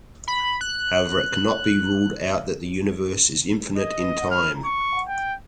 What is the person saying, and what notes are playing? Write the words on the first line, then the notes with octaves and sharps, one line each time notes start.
However it can not be ruled out that the Universe is infinite in time.
B5
F#6
D#5
F6
C#6
G5